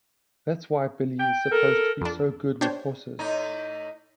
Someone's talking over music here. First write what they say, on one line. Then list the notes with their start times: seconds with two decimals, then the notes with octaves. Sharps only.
That's why Billy is supposed to be so good with horses.
1.19 G5
1.51 A4 A#4
2.01 F2 D4
2.61 D4 G4 C5 C#5
3.19 A2 D#4